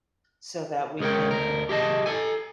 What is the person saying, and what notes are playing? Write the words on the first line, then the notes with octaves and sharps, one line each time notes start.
so that we can,
C#2 G#4 A#4 C#5 G5
D2 A#4
G4 G#4 D#5 A5
A4 G#5